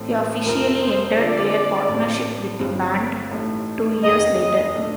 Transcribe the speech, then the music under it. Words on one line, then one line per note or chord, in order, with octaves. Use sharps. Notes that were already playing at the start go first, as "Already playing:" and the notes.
They officially ended their partnership with the band two years later.
Already playing: A1 A2 A3 C4
F1 F2 C3 F3 C4 A#4
C5
D3 F3 C4 F4 A4 D5
A1 A2 A3 C4
G1 G2 F3 C4
A1 A2 A3 D#4
F1 D#2 D#3 D#5
D#5
A#2 A3 D4